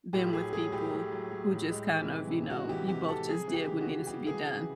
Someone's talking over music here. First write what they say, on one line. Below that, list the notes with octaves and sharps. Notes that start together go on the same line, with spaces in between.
been with people who just kind of, you know, you both just did what needed to be done?
A2 G4
F#3 G#4
F#3 G#4
A2 G4
A2
F#3
F#3
A2
G#3
E3
C3
C3
G#3 F#4
E3 G4
C3 G4
C3 A4
G3 G#4
E3
G4
C#3
F#4
C#3
G3 G4
E3 G#4
C#3